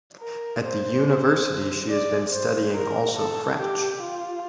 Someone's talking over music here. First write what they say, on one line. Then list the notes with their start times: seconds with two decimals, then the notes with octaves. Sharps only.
At the university she has been studying also French.
0.20 A#4
0.63 C5
1.90 D5
2.32 C5
2.75 A#4
3.17 A4
3.60 G4
4.02 F4